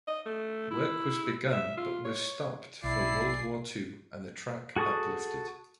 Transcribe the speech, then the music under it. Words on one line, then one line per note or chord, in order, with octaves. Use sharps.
Work was begun but was stopped for World War Two and the track uplifted.
D#5
A3
E4
E5
F4
C#5
B1 E4 G#4 D5 C7
F#4 G#4 A4 C#6 D#6